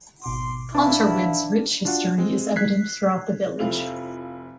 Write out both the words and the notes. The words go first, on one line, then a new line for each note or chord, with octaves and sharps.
Ponterwyd's rich history is evident throughout the village.
G#1 B2 C6 D6
D4 E4 B4 F5 F#5
D4 F4 F#4 F#5
G#3 C4
F#6 G#6 B6 C7
F1 F3 E4 F5 F7